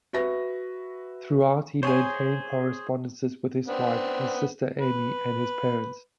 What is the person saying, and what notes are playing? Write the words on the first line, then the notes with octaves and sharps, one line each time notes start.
Throughout, he maintained correspondences with his wife, his sister Amy, and his parents.
F#4 B4 E5 A#6
G#4 C5 C#5 G#5
B3 C4 D4
B4